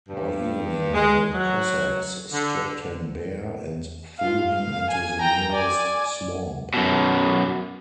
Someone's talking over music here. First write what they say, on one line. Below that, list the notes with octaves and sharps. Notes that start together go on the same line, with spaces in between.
By evening, the Cossacks stripped him bare, and threw him into the nearest swamp.
G2
G#3
F#3
D3
F4 F5
F5
G#5
G5 A#5
D5 G#5
F#2 B2